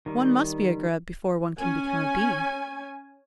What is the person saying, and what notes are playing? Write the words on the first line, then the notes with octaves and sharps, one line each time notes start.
One must be a Grub before one can become a Bee.
D#3 G3
C#4 G#5